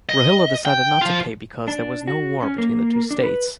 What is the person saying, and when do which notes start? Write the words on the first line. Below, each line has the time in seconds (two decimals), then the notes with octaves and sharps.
Rohilla decided not to pay because there was no war between the two states.
0.09 D#5
0.65 G5
1.02 F3 F4
1.68 D4
2.08 F#4
2.42 C#4
2.58 A#3
3.11 D4
3.24 B4